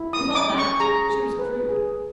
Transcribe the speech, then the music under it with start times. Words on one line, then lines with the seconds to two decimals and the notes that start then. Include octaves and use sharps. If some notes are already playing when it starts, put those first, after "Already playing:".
With all that she was a prude.
Already playing: E4
0.13 D#6
0.21 C#4
0.31 D#6
0.35 D6
0.50 C#4
0.58 C#6
0.80 G#4 A#5
1.10 G#4
1.39 B4
1.69 G#4